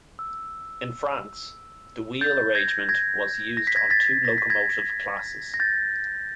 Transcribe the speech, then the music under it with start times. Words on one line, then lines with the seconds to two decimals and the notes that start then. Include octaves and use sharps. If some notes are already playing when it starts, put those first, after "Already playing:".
In France, the wheel arrangement was used on two locomotive classes.
0.19 E6
2.21 G6 A6
2.55 G#6 A#6
2.89 G#6 A#6
3.57 A#6
3.67 B6
3.76 G#6 A#6
3.90 A6 B6
4.25 A#6
4.38 B6
4.50 G#6 A#6
5.54 A#6
5.60 G6 A6